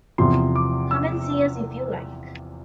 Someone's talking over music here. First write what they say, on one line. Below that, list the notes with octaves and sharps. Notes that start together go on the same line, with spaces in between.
Come and see us if you like.
E2 C3 F3 C6
D6
E6